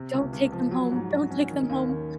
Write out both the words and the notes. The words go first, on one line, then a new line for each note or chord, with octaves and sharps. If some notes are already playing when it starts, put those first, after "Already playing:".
"Don't take them home, don't take them home."
Already playing: C3
C#2
C#2
F3
F#3
G#2
F#4
C#4
D#3
D#2
D#2